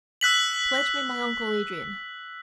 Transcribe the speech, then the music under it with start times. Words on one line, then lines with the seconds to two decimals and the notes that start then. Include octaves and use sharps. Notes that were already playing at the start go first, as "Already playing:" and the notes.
Pledge me my uncle Adrian!
0.21 E6 F#6 B6 F#7